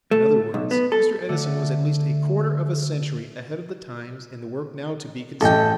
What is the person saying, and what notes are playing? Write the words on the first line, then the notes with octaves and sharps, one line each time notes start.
In other words, Mr. Edison was at least a quarter of a century ahead of the times in the work now to be considered.
A3
B1
B3
A4
D3 A3
A1 A4 D#5 G5